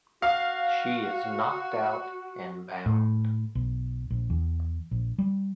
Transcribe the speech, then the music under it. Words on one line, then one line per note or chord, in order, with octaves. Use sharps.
She is knocked out and bound.
F#4 F5
A2
B1
A#1
E2
A#1
G3